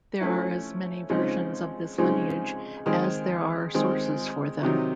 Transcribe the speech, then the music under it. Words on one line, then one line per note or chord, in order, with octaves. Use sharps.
There are as many versions of this lineage as there are sources for them.
F3 A3 C#4 E4
C#3 F3 G#3 C4 D#4
C#3 F3 G#3 C4 D#4
D#3 G#3 C4
D#3 G#3 C4
C3 D#3 F#3